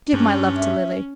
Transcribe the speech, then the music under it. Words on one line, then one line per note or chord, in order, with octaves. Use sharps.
Give my love to Lily.
G2 C#4
E5